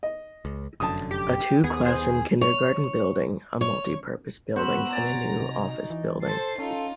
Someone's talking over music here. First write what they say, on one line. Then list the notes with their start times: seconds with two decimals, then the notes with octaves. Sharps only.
A two classroom kindergarten building, a multi-purpose building, and a new office building.
0.03 D#5
0.45 C#2
0.80 F1 F#2 D3 A5 D#6
1.11 G4
1.64 D#2 B3 G#4
1.85 G#4 C5
2.41 C#5
3.61 C#5
4.56 B3 F#4 C5 B5 C#6 E6 F#6
4.91 C#5 D5 G#5 A#5
5.40 C3 D#4
5.90 E3
6.23 A4 C5 A6 C7
6.59 C#4 D#4 F4 A4